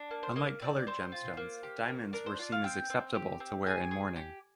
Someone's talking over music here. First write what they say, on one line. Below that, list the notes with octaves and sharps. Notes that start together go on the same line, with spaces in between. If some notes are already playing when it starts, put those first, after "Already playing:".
Unlike coloured gemstones, diamonds were seen as acceptable to wear in mourning.
Already playing: D4
A#3
C5
A#3 D#5
C4 D5
C4 C5
F4
A#3
G4
A#3
D4 A#4
C5
F4 D5
F5
C4 G5
C4
G4
C4
G#4 G#5
G#4
G4